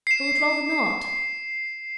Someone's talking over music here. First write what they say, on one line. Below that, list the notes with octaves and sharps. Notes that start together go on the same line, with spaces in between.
I would rather not.'
C7 E7